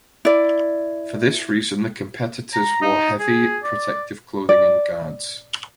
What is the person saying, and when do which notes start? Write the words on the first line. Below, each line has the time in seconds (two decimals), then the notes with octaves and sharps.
For this reason the competitors wore heavy protective clothing and guards.
0.25 E4 D5
2.53 A#5
2.82 D#4
3.19 G#4
3.63 D5
4.49 D5